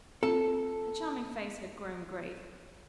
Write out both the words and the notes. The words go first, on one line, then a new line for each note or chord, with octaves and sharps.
Her charming face had grown grave.
C4 F4 A4